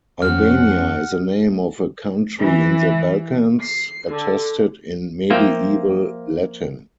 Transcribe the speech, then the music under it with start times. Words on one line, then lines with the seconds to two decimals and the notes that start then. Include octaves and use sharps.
Albania is the name of a country in the Balkans, attested in Medieval Latin.
0.22 F2 F3 C#4 F#5 F6
2.40 E3
3.61 C7
4.09 D3
5.30 F3 A#3 F4 E5 G5